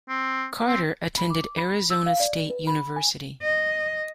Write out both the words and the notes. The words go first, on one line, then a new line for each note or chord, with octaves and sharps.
Carter attended Arizona State University.
C4
C4
B5
D6
B5
E6
F5
D5
B4
B5
G#5
D#5